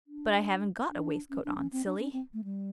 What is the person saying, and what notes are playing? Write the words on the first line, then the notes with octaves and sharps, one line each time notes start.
"But I haven't got a waistcoat on, silly."
D4
D4
C#4
D4
C#4
C4
D4
C#4
C4
A3
G3